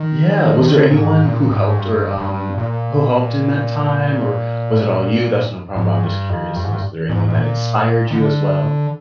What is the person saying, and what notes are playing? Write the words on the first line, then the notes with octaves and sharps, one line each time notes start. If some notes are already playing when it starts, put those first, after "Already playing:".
Yeah. Was there anyone who helped or, um who helped in that time, or was it all you? That's no problem, but I'm just curious, is there anyone that inspired you as well?
Already playing: D#3
D#3
D3
C3
A#2
G#2
A#2
G#2
G2
G2
A#2
G#2
G2
F2
G2
G#2
G2
G#2
G#2
A#2
D#3
D3